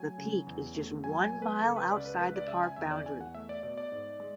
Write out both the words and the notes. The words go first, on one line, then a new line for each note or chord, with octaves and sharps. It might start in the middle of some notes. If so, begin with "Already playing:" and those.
The peak is just one mile outside the park boundary.
Already playing: F#3 A3 G#5
C#3
E2
A3
F#3 G#5
G#5
B2
B4
C#2 A4
B4
C#2 D5
B4
G#3 B4
D5
C#3 E5
G#5
E2 E5
D5
E2 G#5
F#5
A3 E5
D5
B2 D5
D5
G#2
G#3